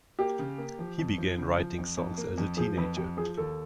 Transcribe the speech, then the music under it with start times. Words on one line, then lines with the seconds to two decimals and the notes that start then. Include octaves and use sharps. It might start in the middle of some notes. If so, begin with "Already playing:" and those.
He began writing songs as a teenager.
0.19 A#3 G4
0.39 C#3
0.58 A#3
0.79 F3
0.99 F2
1.18 F3
1.38 C#3
1.58 F3
1.78 F2
1.97 F2
2.18 A#3
2.38 F2
2.57 F3 G#4
2.77 F2 B4
2.97 F2 G4
3.17 F3 G#4
3.37 D#2 A4